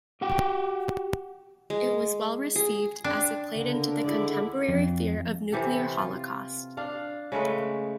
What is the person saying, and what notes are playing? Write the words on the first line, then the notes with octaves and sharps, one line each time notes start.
It was well received as it played into the contemporary fear of nuclear holocaust.
F#4 G4 F#5 G5
G#3
G#4
D4 G5 A5 C6
C#2 D3 A#4
G#3 D#4 E4 D5
F2
C3 E3 G4 A4
F4
D4 F5
C#3 G#3 A3 B4